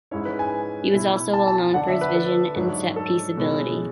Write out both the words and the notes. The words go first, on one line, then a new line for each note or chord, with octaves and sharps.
He was also well known for his vision and set-piece ability.
G#2 G#3 C#4 E4 C#5
B4
G#5
B2 A3 E4
A5
A5
A5
D3 A3 D4 F#5
E5
B4
A4
G#2 F#3 A3 D4
A4
B2 G#3 C#4 E4